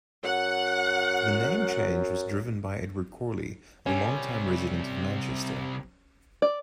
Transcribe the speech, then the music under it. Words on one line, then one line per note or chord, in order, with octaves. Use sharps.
The name change was driven by Edward Corley, a longtime resident of Manchester.
F#2 F#5
C3 G3 C#4
D5